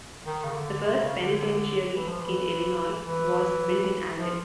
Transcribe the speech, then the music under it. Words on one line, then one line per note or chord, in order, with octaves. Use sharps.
The first penitentiary in Illinois was built in Alton.
D#3
C#3
D3
C3
C#3
D3
E3
F3
E3
E3
F3